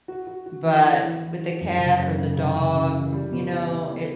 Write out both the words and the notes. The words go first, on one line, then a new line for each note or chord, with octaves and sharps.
but with the cat or the dog, you know, it
F#4
F#4
F#4
E3
E3
E3
E3
F#4
F#2
C#3
F#2
C#3
C#3
C#3
C#3
E3
G3
B2
E4
B2
B3